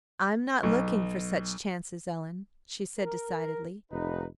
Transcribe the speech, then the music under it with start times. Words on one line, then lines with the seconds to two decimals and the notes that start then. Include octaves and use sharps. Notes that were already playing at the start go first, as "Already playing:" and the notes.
"I'm not looking for such chances, Ellen," she said decidedly.
0.63 B1
2.99 A#4
3.92 F1 D#4 B4